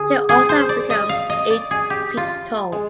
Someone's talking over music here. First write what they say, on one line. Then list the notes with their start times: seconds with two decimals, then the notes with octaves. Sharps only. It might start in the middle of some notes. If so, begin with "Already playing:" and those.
She also becomes eight feet tall.
Already playing: D3 G#4
0.29 G#4
0.49 C5
0.69 D5
0.90 D#5
1.09 F5
1.30 D#5
1.50 D5
1.71 G#4
1.90 G4
2.17 F4
2.72 G#3